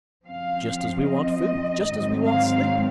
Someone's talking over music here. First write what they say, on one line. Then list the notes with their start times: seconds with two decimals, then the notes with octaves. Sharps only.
Just as we want food, just as we want sleep.
0.25 F#2 F3 C4 F5
1.05 D#5
1.84 G#2 D#3 F#3 C4
2.23 F5